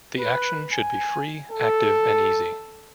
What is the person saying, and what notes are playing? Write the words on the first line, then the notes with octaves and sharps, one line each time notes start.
The action should be free, active and easy.
B4
G#5
A4